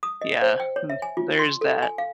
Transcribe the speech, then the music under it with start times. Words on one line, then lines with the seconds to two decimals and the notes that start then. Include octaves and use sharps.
Yeah, hmm, there's that.
0.03 D#6
0.21 D#5
0.42 C5
0.60 G5
0.76 C#5
0.90 E5
1.02 G#5
1.17 F4
1.39 C6
1.61 A4
1.83 G#5
1.98 F5